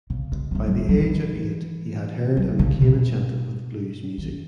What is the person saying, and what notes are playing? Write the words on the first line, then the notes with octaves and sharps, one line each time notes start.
By the age of eight he had heard and became enchanted with blues music.
C#3
G#3
F#3
G#3
F#3
G#3
F#3
E3
F#3
C#3
B2
D#3